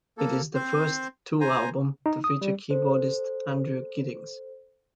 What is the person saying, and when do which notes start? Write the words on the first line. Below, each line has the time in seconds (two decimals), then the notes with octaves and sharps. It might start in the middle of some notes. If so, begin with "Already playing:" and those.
It is the first Tull album to feature keyboardist Andrew Giddings.
0.18 A#3 A4
0.54 C4 C5
1.41 C5 G#5 A#5
2.06 D#4
2.24 D#6
2.41 G3
2.70 A4 C5